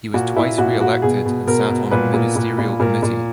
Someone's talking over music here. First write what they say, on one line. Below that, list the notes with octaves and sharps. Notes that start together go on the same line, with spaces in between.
He was twice reelected and sat on a ministerial committee.
A#2 F#4
A#2 E4
A#2 F#4
A#2 F#4
B2 G#4
B2
B2 A#4
B2
A#2 B4
A#2
A#2
A#2
A#2 A#4
A#2